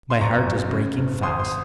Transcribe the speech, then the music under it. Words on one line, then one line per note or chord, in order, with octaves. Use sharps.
My heart is breaking fast.'
C6
F#1 A#5 C#6
F#2
C#3
F#1
G#1 C6 D#6
C6 D#6